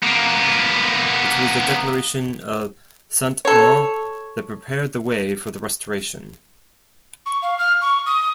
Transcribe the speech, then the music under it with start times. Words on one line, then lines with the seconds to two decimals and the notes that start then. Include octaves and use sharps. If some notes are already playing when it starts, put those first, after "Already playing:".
It was the Declaration of Saint-Ouen that prepared the way for the Restoration.
0.03 A#3 B3
3.45 A4 C#5
7.26 C#6
7.42 F5
7.59 F6
7.81 C#6
8.06 D#6